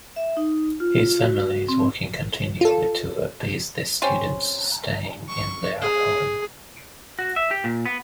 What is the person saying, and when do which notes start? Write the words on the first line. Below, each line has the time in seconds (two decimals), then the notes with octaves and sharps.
His family is working continually to appease the students staying in their home.
0.16 E5
0.37 D#4
0.80 F4
1.19 F#4
1.68 C4
2.61 F4 A4
4.02 G3 C4 C#4
5.28 C#6
5.82 G#4
7.19 F#4
7.36 E5
7.51 G4
7.64 A#2
7.86 B3